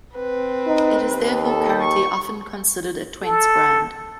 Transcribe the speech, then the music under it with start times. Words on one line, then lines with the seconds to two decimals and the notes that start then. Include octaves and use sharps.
It is therefore currently often considered a Twents brand.
0.15 C4 B4
0.67 D#4
1.13 D#2
1.47 A4
1.83 C#6
3.23 A4